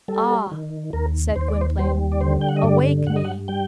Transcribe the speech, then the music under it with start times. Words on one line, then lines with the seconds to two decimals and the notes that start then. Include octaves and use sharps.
"Ah," said Gwynplaine, "awake me!"
0.08 G3 A4
0.52 D#3
0.93 D#2 A#4
1.36 D#2 C5
1.48 D5
1.61 C5
1.79 G3 C5
2.12 D5
2.21 D3 C5
2.41 G5
2.49 F#5
2.57 D#5
2.63 G2 D5
3.06 G2 F#5
3.16 D#5
3.25 F#5
3.48 G3 G5